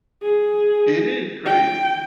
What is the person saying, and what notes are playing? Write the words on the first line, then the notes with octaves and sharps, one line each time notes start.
It is crazy
G#4
G5